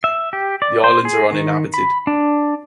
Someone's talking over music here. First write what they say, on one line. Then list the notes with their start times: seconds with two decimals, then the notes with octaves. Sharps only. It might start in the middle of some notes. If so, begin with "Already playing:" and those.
The islands are uninhabited.
0.04 E5
0.33 G4
0.62 D5
0.84 C5
1.05 G#4
1.32 D#3
1.74 B5
2.07 D4